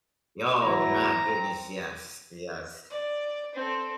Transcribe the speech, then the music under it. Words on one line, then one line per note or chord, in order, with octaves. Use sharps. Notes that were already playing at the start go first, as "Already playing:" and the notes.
Oh my goodness, yes, yes.
E2 F#3 E4 A#5
C4
D5
C4 A4